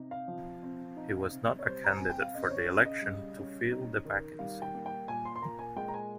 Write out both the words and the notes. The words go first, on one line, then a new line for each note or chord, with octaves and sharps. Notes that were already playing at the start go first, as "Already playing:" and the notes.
He was not a candidate for the election to fill the vacancy.
Already playing: C3 D#4
F5
F3
C4
D#4
C3
C#5
G3 C5
A#5
C4 G#5
G5
F5
C#3 D#5
C5
C#5
C#3
D#5
G3
C#4
D#4
D#3
G3 F5
G5
A#3
G5
A#2 G#5
C6
C6
A#2 A#5
G#5
G#3 G5
A#5
G#5